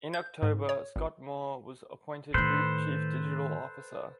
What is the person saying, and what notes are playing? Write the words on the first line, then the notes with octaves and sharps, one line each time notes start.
In October, Scott Moore was appointed Group Chief Digital Officer.
G6
G#2
C#5
G#1
A2 D#3 A4 B4 C5